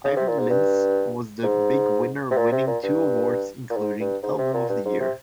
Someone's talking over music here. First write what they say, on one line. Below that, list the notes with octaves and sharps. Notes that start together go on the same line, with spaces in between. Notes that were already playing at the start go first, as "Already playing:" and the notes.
Ivan Lins was the big winner winning two awards including Album of the Year.
C#3
C3
A#2
G#2
G2
G#2
C3
A#2
C3
A#2
G2
A#2
G#2
G2
G#2
C3
A#2
G2
G#2
C3